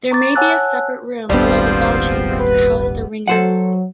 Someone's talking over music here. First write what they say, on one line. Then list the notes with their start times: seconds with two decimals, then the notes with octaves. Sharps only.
There may be a separate room below the bell chamber to house the ringers.
0.11 A#5 C#6 D6 A6
0.36 C#5 F#5 G#5 A5 E6 F#6
1.30 D#1 G#1 F3 G3 B3 C4 D4
2.40 B4
3.28 F#3 A4 C5 F#5